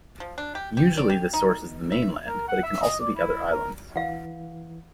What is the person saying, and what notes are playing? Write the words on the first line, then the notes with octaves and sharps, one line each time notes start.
Usually this source is the mainland, but it can also be other islands.
F3
D4
G4
G4
D5
G4
D#4
E5
A#4
F#5
E5
D#5
D5
E4
A#4
E3 F5 F#5